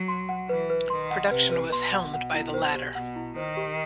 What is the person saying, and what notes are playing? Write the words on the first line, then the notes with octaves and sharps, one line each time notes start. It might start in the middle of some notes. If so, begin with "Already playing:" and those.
Production was helmed by the latter.
Already playing: F#3
C6
F#5
E3 B4
B4
D#3 C6
F#5
C3 B4
B4
B2 C6
F#5
F#5
E4
C5
G4
B2 F#5
E4
D#3 C5
G4